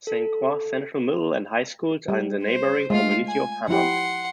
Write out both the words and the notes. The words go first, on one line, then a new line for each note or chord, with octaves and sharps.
Saint Croix Central Middle and High Schools are in the neighboring community of Hammond.
A4
G3
C5
G#3 A3 F4 F5
G#5
F3 E4 G4 F#5 C6